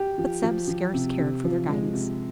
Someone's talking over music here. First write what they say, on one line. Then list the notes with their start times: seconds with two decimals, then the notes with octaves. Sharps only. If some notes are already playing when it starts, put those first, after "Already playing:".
But Zeb scarce cared for their guidance.
Already playing: G4
0.18 F3
0.42 F3
0.68 F3
0.94 C3
1.19 C3
1.44 F3
1.69 G#3
1.94 C3